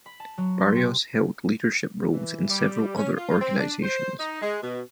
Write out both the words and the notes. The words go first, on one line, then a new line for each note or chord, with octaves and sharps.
Barrios held leadership roles in several other organizations.
B5
A5
F#3
C6
C3
E3
G3
C#4
F4
C4
D4
C5
D#4
G#3
B2